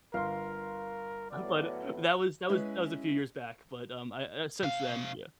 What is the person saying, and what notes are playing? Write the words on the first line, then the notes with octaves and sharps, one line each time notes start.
But that was that was that was a few years back, but, um, I I since then yeah.
G1 A#4 F5 C6
A2 F#3 B3 D5
G#3 C#4 E4 B4 D#5
C3 F5